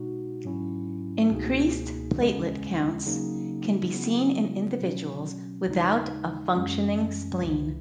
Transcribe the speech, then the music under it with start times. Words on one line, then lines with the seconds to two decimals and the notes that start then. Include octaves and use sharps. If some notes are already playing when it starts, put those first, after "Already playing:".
Increased platelet counts can be seen in individuals without a functioning spleen.
Already playing: B2 G#3 D#4 F#4
0.45 G#2 F#3 C#4 E4
1.31 C#2 B2 A#3 D#4 G#4
2.19 D#2 C#3 G#3 C#4
3.06 C#3 F#3 A#3 D#4
3.93 C#3 F#3 B3 E4
4.80 B2 F#3 C#4
5.67 D#2 C#3 G#3 D#4
6.55 F#2 E3 G#3 C#4
7.42 C#2 C#3 E3